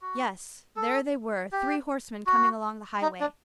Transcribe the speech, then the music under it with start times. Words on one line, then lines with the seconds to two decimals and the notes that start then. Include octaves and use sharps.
Yes, there they were, three horsemen coming along the highway.
0.02 F#4
0.76 A4
1.52 G4
2.27 F#4
3.02 D#4
3.20 D4